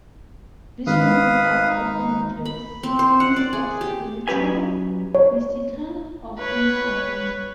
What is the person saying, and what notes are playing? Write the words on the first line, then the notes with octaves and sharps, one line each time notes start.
Visionary art often carries themes of spiritual, mystical or inner awareness.
G#1 B4 F5 D#6
D#4
B5
C4
C5
F#5
D5
G#4
G4
F#3 C#4 G4 B4 G#5
C#5
B4 C#5